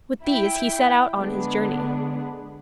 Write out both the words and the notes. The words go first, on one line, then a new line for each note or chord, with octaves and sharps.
With these he set out on his journey.
E4 G5
D3 G#3 B3 D4